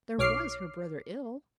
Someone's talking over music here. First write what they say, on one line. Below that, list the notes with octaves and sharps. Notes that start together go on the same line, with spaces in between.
There was her brother ill!
B1 C#5 D6 F6 C7